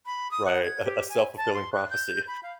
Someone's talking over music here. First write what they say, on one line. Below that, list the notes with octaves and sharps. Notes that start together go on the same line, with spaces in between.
Right, a a self-fulfilling prophecy.
B5
D#6
F#5
G#6
G4
G#5
A5
C6
F#6
G6
B5
F5